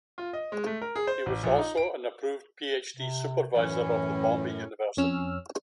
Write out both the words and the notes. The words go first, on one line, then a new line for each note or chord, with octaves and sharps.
He was also an approved PhD supervisor of the Bombay University.
F4
D#5
G#3
A3
A#4
G#4
C5
A1
A#1
D#4
D7
C3
F#2 A2 E3 C#4
F2 C#4 E6 F6